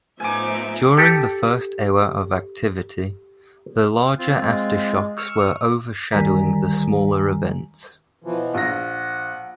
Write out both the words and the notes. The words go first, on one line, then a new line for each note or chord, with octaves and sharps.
During the first hour of activity, the larger aftershocks were overshadowing the smaller events.
A2 F3 B3 D#4 E5 G#5 D6
G4 A4
C4 F4
G#3
C#6 E6 F6
D2 D#3 G3 G#5 A#5 B6
B2 E3 F3
A#1 F#5 A#6